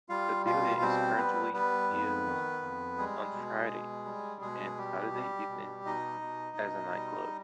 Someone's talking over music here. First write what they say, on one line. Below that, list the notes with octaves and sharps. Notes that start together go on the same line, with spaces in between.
The building is currently used on Friday and Saturday evenings as a night club.
G3 F4 F5
B2 F4 F5
G3 C4 C5
G3 B3 B4
G3 B3 B4
F2
D#3
F2
G3 G#3 G#4
B2
B2
G3
B2 G#3 G#4
G3 G4
G3
B2
B2 D#4 D#5
B2
B2
G3